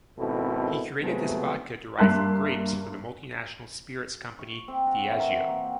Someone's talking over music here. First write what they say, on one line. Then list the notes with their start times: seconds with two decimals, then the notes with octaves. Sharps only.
He created this vodka derived from grapes for the multinational spirits company Diageo.
0.19 G#1 B2 C4 E4 A4
1.01 C3 F3 F#3 G#3 A3 B3
1.98 G2 A#3 E5 A5 C6 F#6
4.39 C#6
4.68 C4
4.87 F#4
5.08 E3
5.20 A#4
5.48 A#3
5.64 G4